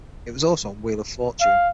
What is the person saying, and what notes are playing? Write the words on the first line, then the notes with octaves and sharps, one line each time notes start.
It was also on "Wheel of Fortune".
F5